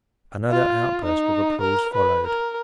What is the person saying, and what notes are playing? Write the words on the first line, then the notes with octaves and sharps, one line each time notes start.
Another outburst of applause followed.
F4
D#4
A#4
B4
A#4